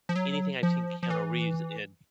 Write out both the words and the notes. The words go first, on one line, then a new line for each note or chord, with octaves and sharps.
anything I've seen Keanu Reeves in
F3
F#3
F3
F3
E3